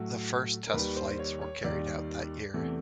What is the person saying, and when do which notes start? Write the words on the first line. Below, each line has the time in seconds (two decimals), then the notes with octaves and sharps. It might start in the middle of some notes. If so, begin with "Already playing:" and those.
The first test flights were carried out that year.
Already playing: A2 F#3 A3
0.67 A#4
0.74 D#2 D#3 G3 B4
0.96 C5
1.19 C#5
1.41 C#5
1.64 D#2 D#3 G3 D5
2.54 E2 C3 E3 A3